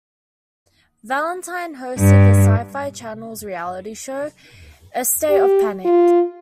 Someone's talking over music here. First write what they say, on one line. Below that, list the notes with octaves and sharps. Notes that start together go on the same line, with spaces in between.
Valentine hosted the Sci-Fi Channel's reality show "Estate of Panic".
G2
G4
F4